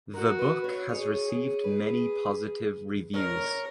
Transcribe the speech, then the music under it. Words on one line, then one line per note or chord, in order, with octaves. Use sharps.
The book has received many positive reviews.
F#4 A#4
B4
C#5
G#4 C#5
G#4
B4
A#4 C#5
C#5